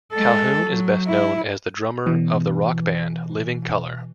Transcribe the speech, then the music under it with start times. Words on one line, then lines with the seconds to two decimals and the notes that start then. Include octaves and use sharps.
Calhoun is best known as the drummer of the rock band Living Colour.
0.12 G#3 A4
0.65 F#3
1.08 E4
2.06 B2 E3